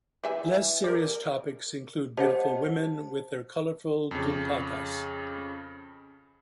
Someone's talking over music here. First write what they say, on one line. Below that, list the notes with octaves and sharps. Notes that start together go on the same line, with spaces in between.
Less serious topics include beautiful women with their colourful duppattas.
E3 E5 G#5
A#4 D5
G4 C5 C#5 D#5 F#5 A5
F2 C#3